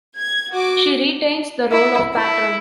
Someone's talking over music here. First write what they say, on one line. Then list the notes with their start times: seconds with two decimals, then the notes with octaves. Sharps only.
She retains the role of patron.
0.16 G#6
0.52 F#4 D6
1.71 E4
2.14 E4